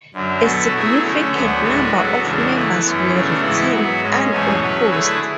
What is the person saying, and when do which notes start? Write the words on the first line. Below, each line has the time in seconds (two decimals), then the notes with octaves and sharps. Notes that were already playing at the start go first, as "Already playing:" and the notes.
A significant number of members were returned unopposed.
0.14 F#2 D3 F#3
0.43 B2 F#3 B3 F#4 A4
0.74 F#3 A3 E4 G#4
1.03 D3 A3 C#4
1.33 D2 D3 F#3 B3
1.63 A2 G#3 D4 F#4 B4
1.92 F#3 B3 F#4 A4
2.22 E2 C#3 G#3 D4 F#4
2.52 E3 A3 E4 B4
2.82 F#2 E3 B3
3.12 C#3 F#3 A3 D4
3.41 G#2 E3 B3 E4
3.71 F#3 B3 F#4
4.01 G#2 G#3 C#4
4.30 E2 B2 A3 C#4 G#4
4.60 F#3 C#4 F#4 B4
4.90 D3 A3 E4 G#4 B4